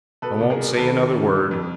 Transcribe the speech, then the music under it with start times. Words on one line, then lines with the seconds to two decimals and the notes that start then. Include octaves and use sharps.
"I won't say another word."
0.22 B2 A4 B4
0.41 C2
0.50 G#4 A#4
0.60 B2
0.77 D#2 A4 B4
0.96 D#2
1.15 C#3
1.33 D3
1.51 F2